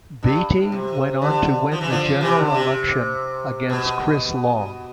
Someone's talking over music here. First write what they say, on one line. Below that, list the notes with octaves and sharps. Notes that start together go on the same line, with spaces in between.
Beatty went on to win the general election against Chris Long.
G2
A2
C3
D3
F3
E3
D3 F3
C3 E3
D3
C3
B2